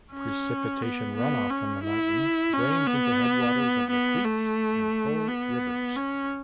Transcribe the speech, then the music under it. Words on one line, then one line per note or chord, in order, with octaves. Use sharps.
Precipitation runoff from the mountain drains into headwaters of the Queets and Hoh Rivers.
C#4
B3
B3
C#4
E4
C#4
B3
B3
A3
B3
C#4